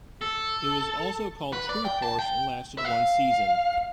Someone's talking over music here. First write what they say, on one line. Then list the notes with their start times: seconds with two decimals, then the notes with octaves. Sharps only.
It was also called "Truthhorse" and lasted one season.
0.21 A4
1.53 B4
1.69 D5
1.85 G5
2.03 A5
2.19 G5
2.78 E5
2.85 F5